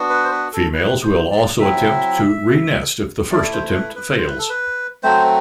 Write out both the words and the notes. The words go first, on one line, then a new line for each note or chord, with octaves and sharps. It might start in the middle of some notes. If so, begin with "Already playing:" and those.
Females will also attempt to renest if the first attempt fails.
Already playing: B3 D4 F#4
B4
C5
B4
A4
B4
C5
D5
F#3 C4 E4 E5
A3 E4 D5
C5
C5
B4
B4
C5
B4
A4
B4
F#3 A3 C4 C5